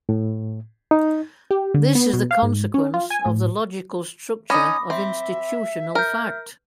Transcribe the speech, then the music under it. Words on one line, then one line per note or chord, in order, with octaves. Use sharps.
This is the consequence of the logical structure of institutional fact.
A2
D#4
G4
D3
B3
B2
F5
G#2
C#4
F4
G#5
A2
C#4 D#4 B5 D6 D#6 A#6
C4 E5
A#4 F6 G6